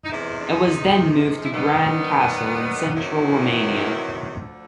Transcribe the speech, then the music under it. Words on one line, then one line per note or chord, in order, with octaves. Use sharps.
It was then moved to Bran Castle, in central Romania.
D#4
E2 C3 E3 F3 G#3 E4
D4
D#4
E4
D#2 D#3 G3 B3 D#4
C3 D#3 E3 F#3 A#3 C#4 E4
D2 D3 F3